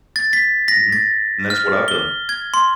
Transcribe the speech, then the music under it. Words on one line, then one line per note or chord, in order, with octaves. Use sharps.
Mhm. And that's what I've done.
A6
B6
A#6
A6
F6
G7
G#6
C6